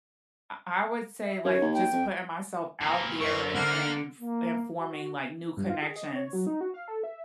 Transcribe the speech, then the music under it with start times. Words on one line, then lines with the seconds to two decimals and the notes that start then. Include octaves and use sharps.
I I would say like just putting myself out there and and, f and forming, like, new connections.
1.26 E5
1.44 F#2 C#5
1.62 D#2
1.74 G5
1.93 F2
2.81 A#2 E3 A#3
3.20 F#2 E3 A#4 C5 E5 C#6
3.55 D3 A#3 F#5 F6
4.21 A#3
4.80 F#4
5.57 G2
5.69 F4
5.82 G#4
5.96 D#5
6.15 C#5
6.33 F#3
6.47 D#4
6.61 F#4
6.74 F5
6.88 A4
7.04 E5